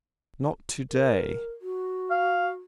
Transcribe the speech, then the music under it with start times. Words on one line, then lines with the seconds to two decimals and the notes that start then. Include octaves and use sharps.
"Not to-day."
0.90 A#4
1.62 F#4
2.11 F5